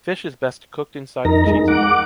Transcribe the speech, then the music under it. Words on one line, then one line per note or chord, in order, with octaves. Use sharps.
Fish is best cooked inside the cheese roll.
F2 D#4 A#4 A#5
G#3 D#4
F#5 D6